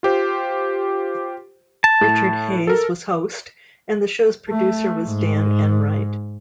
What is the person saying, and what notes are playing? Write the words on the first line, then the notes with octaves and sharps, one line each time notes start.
Richard Hayes was host, and the show's producer was Dan Enright.
F4 G4 C5
A5
A2
A4 A#4
A3
G#2